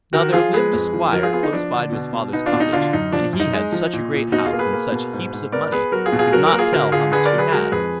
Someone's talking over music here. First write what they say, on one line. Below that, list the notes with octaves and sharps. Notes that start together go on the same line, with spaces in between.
Now there lived a Squire close by to his father's cottage, and he had such a great house, and such heaps of money, he could not tell how much he had.
D#3 F#4 A#4
F3 F4 G#4
G#3 G#4 B4
F2
F3
F3 F#4 A#4
F4 G#4
B3 F4 G#4
D#4
F3 D4
D3
B2
B2
B3 D#4
D4 F4
B2
D#4
D3 D4 F4
F#2 D#4
F3 D4
F#2
D#4
G#3
F3
A#2
A#2
B2 D#4 F#4
F4 G#4
A#3
G#4 B4
A#3
B2
G#2
G#2
B3 A#4 D5
B3 G#4 B4
F#3 F#4 A#4
F4 G#4
B2
F4 G#4
F#3 F#4 A#4
F#4 A#4
A#3
F4 G#4
D3 F#4 A#4
D3 F4 G#4
D3 G#4 B4
A#4 D5
F#3
G#4 B4
G#3 F#4 A#4
F2 G#4 B4